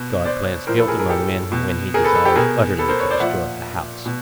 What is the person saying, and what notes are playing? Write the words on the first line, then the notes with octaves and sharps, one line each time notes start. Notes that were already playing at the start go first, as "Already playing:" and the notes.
'God plants guilt among men when he desires utterly to destroy a house.'
Already playing: B2
C5 D5
A2 F3 A#4 C5
A4 B4
G#4 A#4
G#4 A#4
G4 A4
B2
G#4 A#4
A4 B4
A4 B4
G4 A4
B2 G#4 A#4
A4 B4
A#4 C5
B4 C#5
C5 D5
A#2 F3 E5 F#5
B2